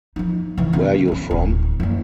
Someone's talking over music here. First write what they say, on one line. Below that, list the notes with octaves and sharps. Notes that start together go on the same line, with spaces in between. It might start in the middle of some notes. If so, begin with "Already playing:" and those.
Where you from?
F3 D#4
C#3 E3
B3 C#4
D3 C#4
D1
F#1 A#3